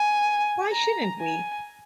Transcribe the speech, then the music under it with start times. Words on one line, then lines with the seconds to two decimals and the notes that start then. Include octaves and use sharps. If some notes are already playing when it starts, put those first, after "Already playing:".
Why shouldn't we?
Already playing: G#5
0.72 A#5
1.20 G#5